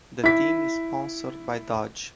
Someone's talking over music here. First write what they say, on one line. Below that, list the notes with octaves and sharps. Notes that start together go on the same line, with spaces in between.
The team is sponsored by Dodge.
E4 B6